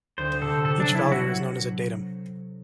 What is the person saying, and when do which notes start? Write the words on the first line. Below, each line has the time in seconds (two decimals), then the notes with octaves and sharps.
Each value is known as a datum.
0.18 D2 C5
0.42 C3 A4
0.65 C3 A4
0.80 D4
0.88 F#3
0.95 E4
1.11 F#3 F#4